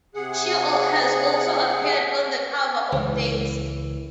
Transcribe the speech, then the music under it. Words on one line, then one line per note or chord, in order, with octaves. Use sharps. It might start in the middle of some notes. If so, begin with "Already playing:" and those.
She has also appeared on the cover of "Dazed".
C3 G#4 F#5
C#2 E3